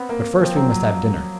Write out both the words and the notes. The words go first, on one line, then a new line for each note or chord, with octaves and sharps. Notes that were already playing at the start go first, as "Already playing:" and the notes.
But first we must have dinner.
Already playing: B3 C4
A#3
F3 C4
F#3
F#3